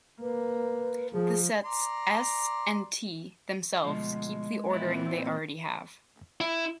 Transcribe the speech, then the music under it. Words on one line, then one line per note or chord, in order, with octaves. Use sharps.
The sets "S" and "T" themselves keep the ordering they already have.
A#3 B4
F3 G#4
D5 A#5 C6
D2 B2 F3 G#3
A#2 E3 B3 C4 E4
E4